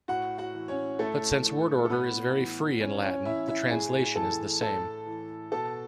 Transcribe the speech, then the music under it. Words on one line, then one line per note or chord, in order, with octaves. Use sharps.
But since word order is very free in Latin, the translation is the same.
A2 F#4 F#5
F#4 F#5
E3
C#4 C#5
A2 A3 A4
E3
A4
A2 B3 B4
E3
A2 C#4 C#5
C#4 C#5
E3 E4 E5
E4 E5
A2 G#4 G#5
E3 A4 A5
A2 A4 A5
E3
B2 A4 A5